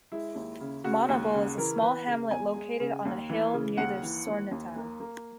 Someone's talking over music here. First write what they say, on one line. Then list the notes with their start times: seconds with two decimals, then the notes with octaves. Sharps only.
Monible is a small hamlet located on a hill near the Sornetan.
0.12 G#3 E4
0.35 D#2
0.60 C#3
0.84 C#3 F#4
1.09 D#2
1.34 C#3
1.58 E3 A#4
1.82 E3 B4
2.07 C#3
2.31 E2 G#5
2.56 G#3
2.80 C#3
3.05 D#2
3.29 E3
3.54 C#3
3.77 D#2 F#5
4.03 E3
4.27 D#2
4.51 D#2
4.76 A#3
5.00 A#3